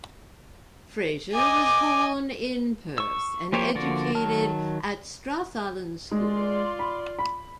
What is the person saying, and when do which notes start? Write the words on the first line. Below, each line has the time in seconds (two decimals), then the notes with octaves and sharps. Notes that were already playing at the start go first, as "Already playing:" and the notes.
Fraser was born in Perth and educated at Strathallan School.
1.33 D#5 G#5 D6
2.98 C#6 E6
3.53 F3 A#3 G4 C5 C#5
3.75 D3 F3 A#3 F#4 D5
4.14 D#3 F#3 A5 F6
6.11 G#3 F4 D5 C6
6.79 B5
7.19 B5